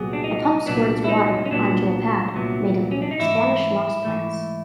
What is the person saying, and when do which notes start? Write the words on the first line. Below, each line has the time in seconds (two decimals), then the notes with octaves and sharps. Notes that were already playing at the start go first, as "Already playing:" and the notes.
A pump squirts water onto a pad made of Spanish-moss plants.
Already playing: C2 A#2 F#3 B3 G#4
0.13 D4
0.24 D#4
0.66 C2 A#2 F#3 B3 D4
1.04 E4
1.08 D#4
1.46 C#4
1.50 C2 A#2 F#3 B3 D4
2.35 C2 A#2 F#3 B3
2.91 C#4
3.02 D4
3.11 D#4
3.19 G#2 E3 A3 E4
4.05 G#2 E3 A3